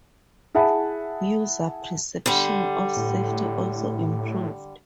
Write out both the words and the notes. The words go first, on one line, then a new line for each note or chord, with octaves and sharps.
User perceptions of safety also improved.
E4 G#4 E5 F#5 A5 B5
D3 G3
A2